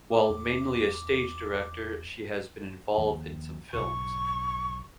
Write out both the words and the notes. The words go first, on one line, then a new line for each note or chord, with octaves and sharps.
While mainly a stage director, she has been involved in some films.
D6
E2
D#2 F3
B1 G#2 C#3 C#6